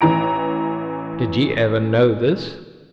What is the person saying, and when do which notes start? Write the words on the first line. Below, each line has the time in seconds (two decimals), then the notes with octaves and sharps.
Did ye ever know this?
0.01 A1 E3 A#5 D7